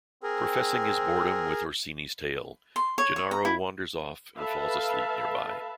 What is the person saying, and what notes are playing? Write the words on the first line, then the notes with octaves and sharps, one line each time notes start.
Professing his boredom with Orsini's tale Gennaro wanders off and falls asleep nearby.
C4 G#4 A#4
C6
C#5
C#5
A#5
E4
A4 B4 E5 F5 A5 B5